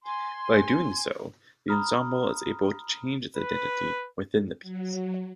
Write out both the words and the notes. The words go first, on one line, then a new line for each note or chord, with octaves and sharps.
By doing so the ensemble is able to change its identity within the piece.
G#5 C6
A#5 B5 D#6 F6
B4
F#3